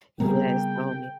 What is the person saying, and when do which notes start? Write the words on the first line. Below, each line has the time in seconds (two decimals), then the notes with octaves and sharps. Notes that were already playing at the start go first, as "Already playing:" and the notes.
Yes, call me
0.20 C#3 G3 B3 C4 G#4 A#4 G5